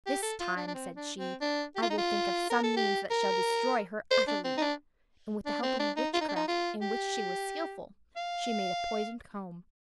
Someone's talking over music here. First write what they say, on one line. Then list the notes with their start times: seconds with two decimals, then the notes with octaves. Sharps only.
"This time," said she, "I will think of some means that shall destroy her utterly;" and with the help of witchcraft, in which she was skilful, she made a poisoned comb.
0.07 G4
0.23 A4
0.40 F4
0.56 D4
0.68 D4
0.74 C4
0.96 D4
1.19 C4
1.41 D4
1.76 G4
1.82 F4
1.90 D#4
1.98 F4
2.50 A#4
2.64 A4
2.77 G4
3.11 A#4
4.11 C5
4.28 D4
4.44 C4
4.58 D#4
4.61 D4
5.46 D4
5.63 C4
5.79 D4
5.97 D#4
6.14 F4
6.21 D#4
6.28 D4
6.36 D#4
6.48 F4
6.82 G4
8.16 F5